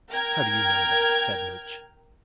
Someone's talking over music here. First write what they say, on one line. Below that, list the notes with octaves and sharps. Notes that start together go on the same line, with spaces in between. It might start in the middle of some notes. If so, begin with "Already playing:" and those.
"How do you know that?" said Much.
A#4 G5 F6 G#6